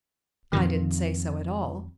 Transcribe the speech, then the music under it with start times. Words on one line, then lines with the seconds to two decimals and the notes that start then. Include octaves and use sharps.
"I didn't say so at all."
0.53 F2 A#2 D#3